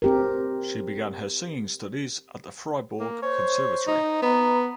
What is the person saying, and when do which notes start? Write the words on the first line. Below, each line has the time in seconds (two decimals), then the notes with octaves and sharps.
She began her singing studies at the Fribourg Conservatory.
0.02 C4 G4 A#4
3.00 A#3
3.22 C5 C#5
3.87 D#4
4.22 B3 A#5